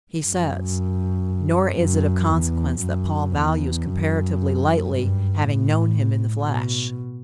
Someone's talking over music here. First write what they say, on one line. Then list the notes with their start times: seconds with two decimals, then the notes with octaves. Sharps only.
He says: "Nor is it of consequence that Paul values comparatively lightly, having known him in the flesh."
0.21 F#2
1.77 F#2
2.29 E2
2.80 F#2
3.32 E2
3.85 F#2
4.88 G2
5.39 A2
6.42 B2